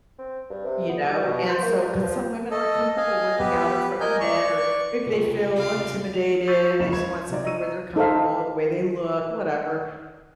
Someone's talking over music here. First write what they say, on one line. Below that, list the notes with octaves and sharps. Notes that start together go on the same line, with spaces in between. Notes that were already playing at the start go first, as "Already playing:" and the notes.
you know? And so 'cause some women aren't comfortable working out in front of men or maybe they feel intimidated, they just want something where they're comfortable, the way they look, whatever.
C4
G2
C3
B3
G3
B2
C5
A#3
G2
F3
A4 D#5
D#5 F5 G#5
B3 G4 B4
A#4 D#5 G#5 G6
D5 C#6
C#2 C3 F4 G#4 C#5
F5 D6
F7
C#6 E6 G6 A6 B6 D#7
F#1 C#2 E3 F5 C#6 E7
C#5 B5 G#6
C3 D#4 D5
D#5 A#5 C#6 E6 D#7
D#4 A4 C5 E5 F5